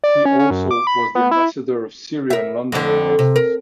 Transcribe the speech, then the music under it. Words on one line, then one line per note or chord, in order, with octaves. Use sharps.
He also was the ambassador of Syria in London and Brussels.
D5
C#4
C#4
F#2
D6
B5
B3
E4
A#4 E5
F2 D3
C3
A#4